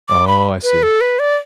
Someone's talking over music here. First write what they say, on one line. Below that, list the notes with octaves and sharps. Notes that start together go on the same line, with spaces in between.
Oh, I see.
D6
B5
B4
A4
B4
D5